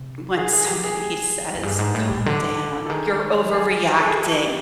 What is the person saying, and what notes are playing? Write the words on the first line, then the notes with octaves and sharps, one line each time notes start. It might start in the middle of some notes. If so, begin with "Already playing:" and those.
when somebody says, "Calm down, you're overreacting,"
Already playing: C3
G#4
G#4
G4
G#4
F#2
G2 G#4
G#2
A2
A#2
D3
A4
D#3 G#4
G#4
A4
G#4
G4